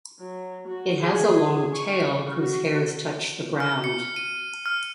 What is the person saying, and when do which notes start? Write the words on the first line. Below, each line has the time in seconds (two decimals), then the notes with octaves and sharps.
It has a long tail whose hairs touch the ground.
0.20 F#3
0.68 F#4
1.00 G#4
1.35 G#4
1.75 C#6
2.35 F#4
3.60 F6
3.84 C#7
4.16 D#7
4.66 F6